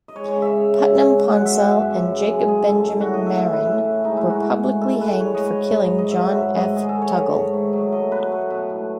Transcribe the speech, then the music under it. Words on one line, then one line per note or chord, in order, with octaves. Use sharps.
Putnam Ponsell and Jacob Benjamin Marin were publicly hanged for killing John F. Tuggle.
D#5
G#3 C#5
C#5
C#3
E5
G#3
C#3
G#3
B2
G#3 F#5
E5
B2
F#5
F#2 E5
F#2
C#3
G#3
A2 G#4
A2 A4
F#3 A4
F#4
A3
D#5
A2 E5
A2
B4
E3 A4
A3
G#3 D#4
E4
A2
F#4
G#3
A2
G#3 A4
A4
A2 B4
G#3 C#5
D#5
A2
C#5
G#2
G#2
F#3 D#5
E5
A3
F#5
G#2 E5
G#2 D#5
D#3 G#4
A4
A3
C#5
A3
G#2
D#3
F#3
A3 D#5
B2 B4
A3
B2
A2